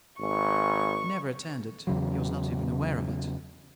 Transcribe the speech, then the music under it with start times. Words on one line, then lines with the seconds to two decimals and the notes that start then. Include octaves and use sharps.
He never returned it--he was not even aware of it.
0.20 G#1 C#6
1.87 E2 C#3 F#3